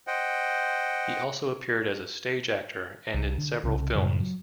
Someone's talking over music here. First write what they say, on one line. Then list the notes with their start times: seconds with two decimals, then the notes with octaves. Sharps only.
He also appeared as a stage actor and in several films.
0.07 C5 D#5 F#5 G5
3.14 C2
3.38 D3
3.64 C2 C#3
3.95 F#2 A2 C#3 G3
4.20 F#3